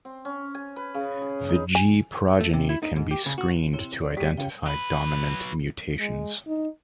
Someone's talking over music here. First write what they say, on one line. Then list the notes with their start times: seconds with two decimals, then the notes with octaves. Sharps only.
The G progeny can be screened to identify dominant mutations.
0.05 C4
0.25 C#4
0.55 G#5
0.76 B4
0.94 C#3
1.22 G#4
1.49 D#4
1.75 G#5
2.41 A3
2.53 C3
2.69 E4
2.83 D#4
2.96 G#2
3.11 G4
3.26 C#3
3.38 F#4
3.73 C3 C4 E4 C#5
4.01 C#5 D5
4.17 G#3 F#4 G4 B6 D#7
4.37 C#3 F4 C#5 G5
4.66 F#3 B4
6.00 G#3
6.47 D#4